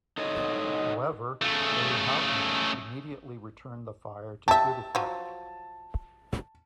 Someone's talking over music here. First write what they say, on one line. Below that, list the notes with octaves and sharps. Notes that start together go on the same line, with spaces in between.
However, "A. Houghton" immediately returned the fire to good effect.
D#4 A4 C5 C#5 D#5
C#3 A3
G4 E5 A5
F3 F#3